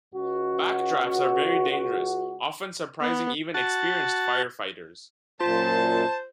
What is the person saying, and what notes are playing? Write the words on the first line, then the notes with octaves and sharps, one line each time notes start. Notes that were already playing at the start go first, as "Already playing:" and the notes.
Backdrafts are very dangerous, often surprising even experienced firefighters.
C#2 F#4
B3
F#4 A5
F#2 A#2 F4 C5 A5